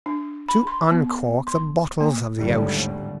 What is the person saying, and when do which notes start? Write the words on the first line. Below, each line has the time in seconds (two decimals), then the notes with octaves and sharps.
"To uncork the bottles of the ocean."
0.06 D4
0.49 B5
0.67 C6
0.91 B3
1.47 C6
2.00 A#3
2.38 G#1 D#2 A2 D3 G3